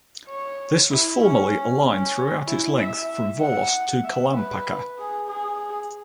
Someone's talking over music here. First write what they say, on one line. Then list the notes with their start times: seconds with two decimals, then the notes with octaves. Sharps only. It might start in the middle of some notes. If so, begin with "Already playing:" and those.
This was formerly a line throughout its length from Volos to Kalampaka.
0.27 C#5
0.91 E4
1.21 C#4
1.85 C#4
2.47 E4
2.78 E5
3.40 F#5
4.04 E5
4.34 B4
4.98 G#4
5.28 G#4